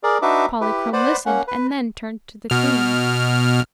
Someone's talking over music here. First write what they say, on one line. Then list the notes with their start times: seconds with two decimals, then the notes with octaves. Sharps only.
Polychrome listened and then turned to the Queen.
0.03 G#4 A#4 D5
0.22 D4 D#4 F#4 B4 E5 D6
0.61 E4 G4 B4
0.93 B4 C5 D5 F#5 B5
1.26 A#3 C#4 F#5
1.47 B4
2.50 B2 F6